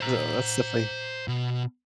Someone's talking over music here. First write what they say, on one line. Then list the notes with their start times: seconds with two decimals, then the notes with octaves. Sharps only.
Ugh, that's definitely
0.01 C5 A#5
1.28 B2